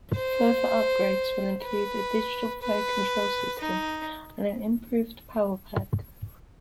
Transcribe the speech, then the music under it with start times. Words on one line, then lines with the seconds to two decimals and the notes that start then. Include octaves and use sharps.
Future upgrades will include a digital fire control system and improved power pack.
0.15 C5
1.63 B4
2.62 B4
3.59 D#4